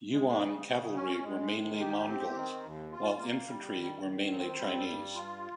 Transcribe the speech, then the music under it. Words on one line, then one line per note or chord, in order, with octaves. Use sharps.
Yuan Cavalry were mainly Mongols while infantry were mainly Chinese.
G#3
C#3
C#3
C#4
G#3
D#3
G4
C4
D#3
D#2
F4
A#3
G3
D#3
D#3
C4
G3
G2
F4